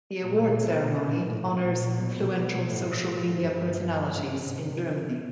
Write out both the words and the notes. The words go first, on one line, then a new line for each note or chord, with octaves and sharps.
The award ceremony honors influential social media personalities in Germany.
A#2
B2
A#2
A2
A#2
B2
B2
A2
A2
G2
G#2
C3